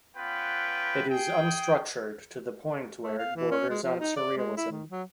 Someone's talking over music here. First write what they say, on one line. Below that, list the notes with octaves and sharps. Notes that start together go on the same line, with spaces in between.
It is unstructured to the point where it borders on Surrealism.
B3 C#4 F4 B4 G5
G#4 G5
A3
F5
E3
C#4
G#3
F3
D#4
D5
G#3
E4
D#3
F#3